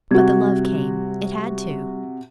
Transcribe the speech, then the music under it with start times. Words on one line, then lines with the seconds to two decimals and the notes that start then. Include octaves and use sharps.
But the love came ... it had to.
0.11 C3 G3 F#4 G4 G#6